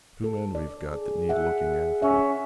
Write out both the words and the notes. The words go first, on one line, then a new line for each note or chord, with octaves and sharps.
"Two men we've got that need looking after."
A4
D5
G#4
E5 F#5
C#4 E5